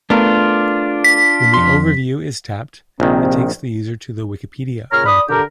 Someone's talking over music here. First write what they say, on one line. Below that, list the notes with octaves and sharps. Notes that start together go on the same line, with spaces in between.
When the overview is tapped, it takes the user to the Wikipedia article.
A3 B3 D4 F4 A#4
B6
F2 C6
A#1 C3 D#3 C4
A#2 C#3 C#5 A#5 F6
D5 B5 D#6
D3 G4 A#4